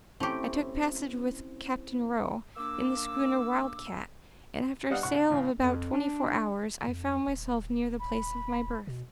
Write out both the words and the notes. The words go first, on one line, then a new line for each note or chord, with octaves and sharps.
I took passage with Captain Rowe, in the schooner Wild Cat, and, after a sail of about twenty-four hours, I found myself near the place of my birth.
A3 C4 C#4 E4 G4
A#3 D4 D6 E6
G3 B3 D4 D#5 F5 F#5
C2 F#5 C#6
A2 C#3
F2
D4
F2
D#1
B5
B2